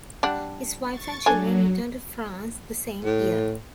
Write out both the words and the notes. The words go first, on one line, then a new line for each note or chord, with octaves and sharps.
His wife and children returned to France the same year.
G3 D4 F#5
C#6 A6
F#3 D4 A4 G#5
A2